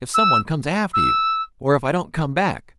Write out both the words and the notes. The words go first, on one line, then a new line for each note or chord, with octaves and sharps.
If someone comes after you, or if I don't come back.
E6
E6